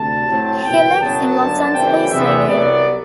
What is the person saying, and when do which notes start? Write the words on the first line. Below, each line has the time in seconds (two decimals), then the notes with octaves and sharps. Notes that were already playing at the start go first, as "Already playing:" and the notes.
He lives in the Los Angeles area.
Already playing: D2 C3 G3 A5
0.27 A2 F#3 C4
0.64 F#1 E2 B2 G5
1.00 F#1 F#2 F#3 B3 A5
1.37 G1 F#2 D3
1.74 F#1 F#2 E3 G3 C4 G5
2.11 E2 C3 E3 B3 D4 E5
2.47 C2 C3 F#3 B3 D5